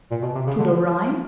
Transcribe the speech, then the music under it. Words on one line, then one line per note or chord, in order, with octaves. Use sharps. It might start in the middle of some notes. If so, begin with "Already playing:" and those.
To the Rhine?
A#2
B2
C3
C#3
D3